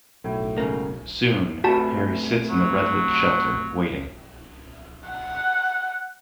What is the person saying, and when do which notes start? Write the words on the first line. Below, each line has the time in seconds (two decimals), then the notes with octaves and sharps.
Soon, Harry sits in the red lit shelter, waiting.
0.24 B1 A2
0.58 G#2 C#3 A#3
1.64 C3 A3 F#4 B4 A5
2.49 F#3
5.09 F#5